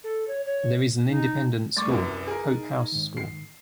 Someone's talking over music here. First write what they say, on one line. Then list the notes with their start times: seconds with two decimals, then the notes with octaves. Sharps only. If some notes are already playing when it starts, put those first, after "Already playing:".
There is an independent school, Hope House School.
0.04 A4
0.28 C#5
0.46 C#5
1.07 D#4
1.77 G3 A3 D5 C#6 D6 A6
1.89 C2 F#2 B4 D6
2.27 G#4 A#4
2.46 D#4
2.92 G#2 D#3
3.17 C7